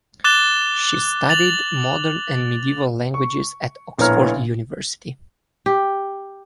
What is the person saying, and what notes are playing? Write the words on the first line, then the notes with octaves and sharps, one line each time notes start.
She studied Modern and Medieval Languages at Oxford University.
D6 F#6 A6 E7 G7
A6 F7 F#7
C#6
A#1 A2 B3 C#5 A#5 F6
G4